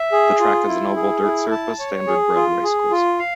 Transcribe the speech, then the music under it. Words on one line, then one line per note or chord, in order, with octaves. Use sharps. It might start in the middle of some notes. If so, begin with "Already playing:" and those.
The track is an oval dirt surface standardbred race course.
Already playing: E5
G#4
F4
E4
G#4
E4
A5
C#5
G#4
F4
G#4
F4
F5